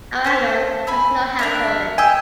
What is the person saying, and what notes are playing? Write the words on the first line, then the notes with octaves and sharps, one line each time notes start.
However, there’s no help for it.
C#4 A4 C5
G#5 B5 E6
D4 A#4 E5
D#5 G5 G#5 E6